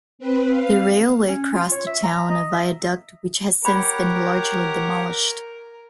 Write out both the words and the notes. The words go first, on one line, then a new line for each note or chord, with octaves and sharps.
The railway crossed the town on a viaduct which has since been largely demolished.
C4 B4
F5
C#4
F4
C#5
E5
A#5
D#5
E5
G4 A#4 C#5 F#5 B5